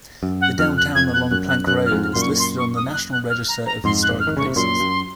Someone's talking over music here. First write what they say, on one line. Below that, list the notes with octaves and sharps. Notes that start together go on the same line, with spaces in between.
The downtown along Plank Road is listed on the National Register of Historic Places.
F#2
F#5
F2 F6
F#6
F2 G#6
F#6
F#2 F#6
F#6
F#2 F#6
F6
F2 G#2
F6
F#2 A#2 C6
C#6
C6
C#6
D#6
F#6
F#6
F6
A#5
A#5
F2 G#2 C6
F#6
F6
D#3
C#3 C#6
C3
F#2 A#2 C6
F#2